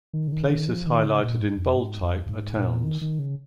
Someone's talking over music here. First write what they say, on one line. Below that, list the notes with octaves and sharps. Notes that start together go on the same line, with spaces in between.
Places highlighted in bold type are towns.
D#3
C#3
D#3
D#3
F3
D#3
C#3
A#2
G#2
F2
G#2
F2
F2
G#2
A#2
D#3
D#3
C#3